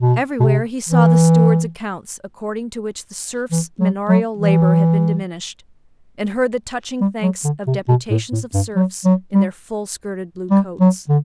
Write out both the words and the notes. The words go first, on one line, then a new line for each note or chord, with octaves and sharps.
Everywhere he saw the stewards' accounts, according to which the serfs' manorial labor had been diminished, and heard the touching thanks of deputations of serfs in their full-skirted blue coats.
B2
B2
C3
E3
E3
F#3
F#3
E3
G3
F#3
D3
C3
B2
A2
A2
G2
F#3
F#3
G3
G3
F#3
D3